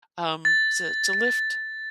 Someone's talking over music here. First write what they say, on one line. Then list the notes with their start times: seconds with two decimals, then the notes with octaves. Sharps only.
um, to to lift
0.45 A6